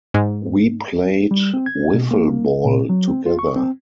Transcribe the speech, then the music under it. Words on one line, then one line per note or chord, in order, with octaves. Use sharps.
We played Wiffle ball together.
G#2
G3
C4
G#6
B2
A#3
A#2
F#3
C4
F4
C#6
C4